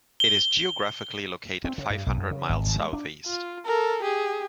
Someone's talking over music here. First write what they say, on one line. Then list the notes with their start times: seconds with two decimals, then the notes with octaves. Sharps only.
It is geographically located five hundred miles south-east.
0.20 G7
1.64 C4
1.78 C#3
1.90 G2
2.06 B1
2.18 F#2
2.31 C#3
2.49 G#1
2.67 G#1
2.78 G#3
2.93 D4
3.26 F4
3.65 A4 A#4
4.02 G4 G#4